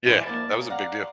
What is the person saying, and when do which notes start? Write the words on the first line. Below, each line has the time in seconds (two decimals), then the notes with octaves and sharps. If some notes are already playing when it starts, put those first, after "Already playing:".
Yeah, that was a big deal.
0.06 E3 F3 G#3 D4 E4
0.26 F2 A#3 D5 A5
0.51 C#3 A#3 C#4
0.69 D5 F5 F#5 A#5